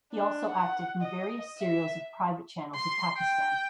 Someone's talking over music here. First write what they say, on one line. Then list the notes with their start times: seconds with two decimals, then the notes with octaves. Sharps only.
He also acted in various serials of private channels of Pakistan.
0.13 D4
0.49 F#5
1.02 D#5
1.59 E5
2.74 C6
3.17 G5